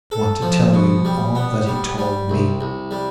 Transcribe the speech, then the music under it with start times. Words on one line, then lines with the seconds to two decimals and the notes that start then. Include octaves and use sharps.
I want to tell you all that he told me.
0.12 A4
0.42 F3
0.74 B2
1.05 G3
1.35 B3
1.67 G3
1.98 G3
2.30 C2
2.61 C2
2.91 G3